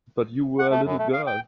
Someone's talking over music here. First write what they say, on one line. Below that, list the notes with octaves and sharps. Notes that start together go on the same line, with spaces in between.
But you were a little girl.
F#5
A3
F#2
A3
F5
G5